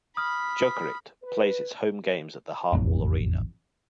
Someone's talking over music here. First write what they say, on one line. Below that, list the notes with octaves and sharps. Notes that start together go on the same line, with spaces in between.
Jokerit plays its home games at the Hartwall Arena.
B5 D#6 F6
B4
E1 A1 F2